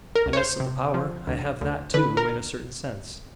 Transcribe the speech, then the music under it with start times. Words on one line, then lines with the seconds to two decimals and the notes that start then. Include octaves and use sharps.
And as to the power, I have that, too, in a certain sense.
0.15 A#4
0.26 C#2
0.33 C#5
0.37 C5
0.60 C3
0.94 F3
1.27 D2
1.61 D2
1.94 D3 B4
2.17 A#4